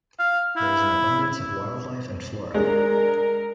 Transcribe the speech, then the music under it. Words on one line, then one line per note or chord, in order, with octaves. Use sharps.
There is an abundance of wildlife and flora.
F5
E4
G#3 D4 A#4